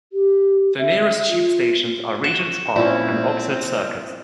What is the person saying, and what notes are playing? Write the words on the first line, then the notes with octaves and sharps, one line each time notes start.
The nearest Tube stations are Regent's Park and Oxford Circus.
G4
E5
F4
F#4 C#6 E7
A#2 F3 C4 C#4 E4